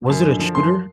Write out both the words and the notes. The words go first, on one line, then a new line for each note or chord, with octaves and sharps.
was it a shooter?
F#2
D3
F3
F#2 C6